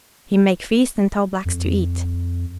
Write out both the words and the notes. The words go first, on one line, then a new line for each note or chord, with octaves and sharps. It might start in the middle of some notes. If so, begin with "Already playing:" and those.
He make feast and tell Blacks to eat.
F2